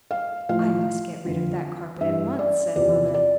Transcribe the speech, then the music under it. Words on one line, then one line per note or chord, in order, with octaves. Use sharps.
'I must get rid of that carpet at once,' said mother.
F5
A2 F3 F5
F2 D3 F3
G2 E3 E5
D5
E2 C3 F3 D5
D5